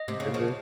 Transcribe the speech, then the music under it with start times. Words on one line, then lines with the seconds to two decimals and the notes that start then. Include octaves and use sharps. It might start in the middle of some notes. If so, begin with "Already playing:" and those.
you been there?
Already playing: D#5
0.08 C3
0.20 C#3
0.34 C#3 F3